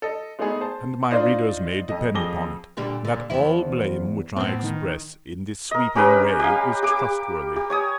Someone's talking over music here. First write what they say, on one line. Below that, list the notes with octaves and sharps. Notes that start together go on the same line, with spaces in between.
And my readers may depend upon it, that all blame which I express in this sweeping way is trustworthy.
A4 D#5
G#3 A3 B3 D#4 G#4
C5 A5
D4 D#4 F4 C5 D5 D#5
F2 D#5
F2 F3 G#4 D6 A#6 G7
A#2 D3 G3
A#2 D3
E2 F3 E4
A2 B3 C4
D#3
A#4 D#5
C#4 G4 A#4 B4
G4 F5
G4 D6
G4
C#5 G#5 D#6